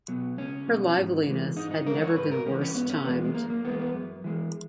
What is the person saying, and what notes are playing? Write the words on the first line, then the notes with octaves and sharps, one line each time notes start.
Her liveliness had never been worse timed.
B2 F#3
C#2 C#4
B2 F#3
G#2
E3 G#3
G#2 D#4
D#4
E3 G#3 A#4
C#5
G#2 B4
A#4
E3 G#3 C#4
C#4
G#2 B3
C#4
E3 G#3 B3
G#3
F#2 A#3
A#3
E3 G#3 B3
B3
F#2
E3 G#3